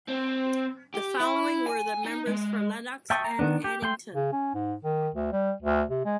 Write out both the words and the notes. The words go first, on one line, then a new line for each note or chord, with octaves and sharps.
The following were the members for Lennox and Addington.
C4
G4
E4
G#5
D#4
G#3
E5 G5 A5 C#6 D#6
A#5
D#3 A#3 B3 D4
G4
A3 G5 C6
C#3
C#4
G#2
D#3
D2
G3
D2
C3
G#3